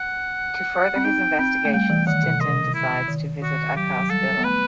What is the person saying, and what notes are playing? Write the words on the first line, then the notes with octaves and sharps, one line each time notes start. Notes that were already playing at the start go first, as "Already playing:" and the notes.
To further his investigations, Tintin decides to visit Akass' villa.
Already playing: F#5
C4
D#4 G5
C4 G5
A3
G3 G5
E3
D#3 F#5
B2
C3 D#5
E4
D#3
D#3 F#4
F#3 G4
F#3
G3 A4
B3
A3 B4